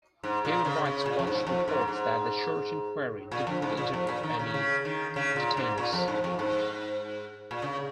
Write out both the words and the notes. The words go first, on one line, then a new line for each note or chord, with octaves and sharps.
Human Rights Watch reports that the Church inquiry didn't interview any detainees.
G#2
A#2
C#3
C#3
A#2
F2
G#2
F2
G#2
G#2
A#2
F2
G#2
A#2
F2
A#2
D#3
C#3
C#3
D#3
C#3
A#2
G#2
A#2
F2
G#2
F2
G#2
A#2
C#3